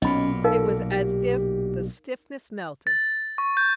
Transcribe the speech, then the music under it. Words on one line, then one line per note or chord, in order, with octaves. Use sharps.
It was as if the stiffness melted.
B1 A#2 C#4 D#5 B5
D#4 A4 A#4 F5
G4
A6
C#6
G6